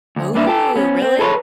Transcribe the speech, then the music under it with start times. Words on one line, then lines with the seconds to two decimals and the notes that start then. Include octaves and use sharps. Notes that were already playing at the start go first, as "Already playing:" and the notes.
Ooh, really?
0.16 D2
0.35 G2 A#3 D4 B4 E5
0.47 G4 A4
0.76 B3 C#4
1.02 C4
1.19 G#4 A4 B4 C#5